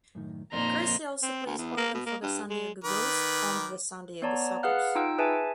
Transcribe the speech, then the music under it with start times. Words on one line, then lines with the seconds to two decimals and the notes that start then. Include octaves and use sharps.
Cressey also plays organ for the San Diego Gulls and the San Diego Sockers.
0.15 F#2 A2 D#3
0.53 F2 A#2 A#3 D#4 A#4 D5 A#5 C6
1.23 C4
1.46 D2
1.58 E2
1.77 A#3
1.94 B2
2.06 A#3
2.22 G2
2.50 G#3
2.84 D#3 B4 D6
4.22 B3 C#5 D5 A5 A#5
4.63 G#4 B4 F5 F#5 F6 F#6
4.95 D#4 F4 G5 E6 D7
5.18 G#4 B4 E5 G#5 A5